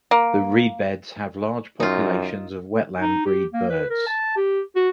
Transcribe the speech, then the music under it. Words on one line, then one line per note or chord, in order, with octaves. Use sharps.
The reed beds have large populations of wetland breed birds.
A#3
F#2 D#4 F4
D#4
G4
A#3
B4
A#4
A5
G4
F#4